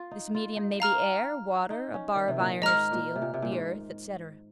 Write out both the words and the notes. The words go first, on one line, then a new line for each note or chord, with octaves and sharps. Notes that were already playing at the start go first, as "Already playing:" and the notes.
This medium may be air, water, a bar of iron or steel, the earth, etc.
Already playing: F4
D#4
F4
D#4
F5 A#5 F6
D#4
C#4
D#3
C3
A#2
G#2 D#5 A#5 F6
A#2
C3
A#2
C3
A#2
G#2